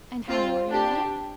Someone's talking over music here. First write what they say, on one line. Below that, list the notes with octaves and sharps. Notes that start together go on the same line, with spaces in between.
'And how are you all?
C4 F4
D4 G4